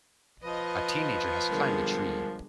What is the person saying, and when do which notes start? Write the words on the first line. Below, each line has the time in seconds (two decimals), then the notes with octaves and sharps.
A teenager has climbed a tree.
0.44 F3 B4 D#5
1.50 B2 D3 G3 G#3 A#4